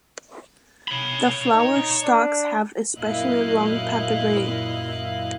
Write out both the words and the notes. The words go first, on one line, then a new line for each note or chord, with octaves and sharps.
The flower stalks have especially long papillae.
C#5 B5
D#4
D4
F#2 A#2 E4 D#5 F5 F#6